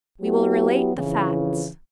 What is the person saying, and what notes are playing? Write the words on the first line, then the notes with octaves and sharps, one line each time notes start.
We will relate the facts.
F#3 B3 E4 G4
F2 C#3 E3